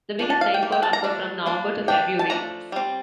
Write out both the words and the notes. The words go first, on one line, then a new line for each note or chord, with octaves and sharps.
The biggest rainfall occur from November to February.
F3 A#3 D4
A5
F5
G5
E3 A#3
G5
A5
A#5
F3 A3 D4
F3 A#3 D4
G3 D4 G5
A5
F3 A3 D4 A#5
G3 C4